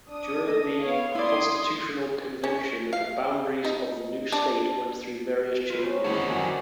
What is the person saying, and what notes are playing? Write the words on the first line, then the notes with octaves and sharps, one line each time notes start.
During the constitutional convention the boundaries of the new state went through various changes.
D4 D#6
A4 D#5
B3 C#5 F5
E4 D5 C6 D#6 G#6
C#4
F5
D#4
D4
F4 B4
C4 C#4 D#4 C5
D3 D#3 A#3 D#4 E4 C#5 D5 F#5
A#4 E5
F#3 F#4 G#5